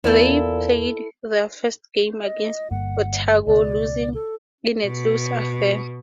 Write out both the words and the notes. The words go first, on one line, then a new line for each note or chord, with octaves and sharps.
They played their first game against Otago, losing in a close affair.
E2 A#2 B3 E4 A4 B4
D#5
G1 G2 A#3 F#5
C#2 B2 D5
A4
B2